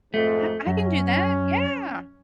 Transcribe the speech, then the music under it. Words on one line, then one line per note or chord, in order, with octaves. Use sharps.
I I can do that, yeah.
F2 G#2 A3
F#2 C#4